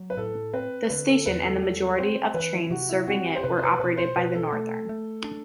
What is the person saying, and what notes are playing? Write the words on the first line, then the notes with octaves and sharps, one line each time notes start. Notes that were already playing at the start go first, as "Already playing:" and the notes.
The station and the majority of trains serving it are operated by Northern.
Already playing: F#3
B4
A2 A4
C4 B4
D3 B4
A4
E2 B4
A4
G4
G3 A4
C4 C5
E3 B4
E4
C3 F#4
E4
C4 F#4
G4
C5
C3 B4
C5
B4
B2 B4
C5
B2 B4
A4
A3
A3
D4